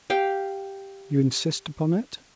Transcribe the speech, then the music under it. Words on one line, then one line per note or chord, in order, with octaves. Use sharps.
"You insist upon it?"
G4 F5 G5